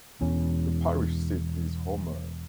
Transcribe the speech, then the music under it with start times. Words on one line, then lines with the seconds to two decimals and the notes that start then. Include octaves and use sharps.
The parish seat is Homer.
0.21 E1 E2 C#4